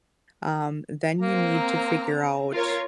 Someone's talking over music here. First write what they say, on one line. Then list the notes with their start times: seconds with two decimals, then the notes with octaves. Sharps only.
um, then you need to figure out
1.22 A#3 C4 A#5
2.52 F4 A#4 C#5